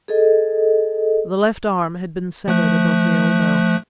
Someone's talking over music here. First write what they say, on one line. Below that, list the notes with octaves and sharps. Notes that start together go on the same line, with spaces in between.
The left arm had been severed above the elbow.
G#4 A4 D#5
F3 A3 F#6